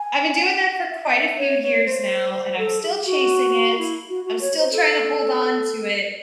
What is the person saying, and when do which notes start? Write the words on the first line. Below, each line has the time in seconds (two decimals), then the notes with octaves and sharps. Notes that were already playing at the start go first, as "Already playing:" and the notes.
I've been doing that for quite a few years now and I'm still chasing it, I'm still trying to hold on to it,
Already playing: G#5
0.43 F#5
0.90 E5
1.38 C#5
1.63 C#5
1.86 C5
2.33 C5
2.58 A4
2.82 G#4
3.06 F#4
3.78 E4
4.08 F#4
4.25 F#4
4.41 C#5
4.57 C5
4.73 A4